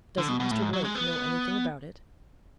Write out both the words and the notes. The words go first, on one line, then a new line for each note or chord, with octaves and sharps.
"Doesn't Mr. Blake know anything about it?"
D3
B2
B2
A2
G#2
F#3
G#3
B3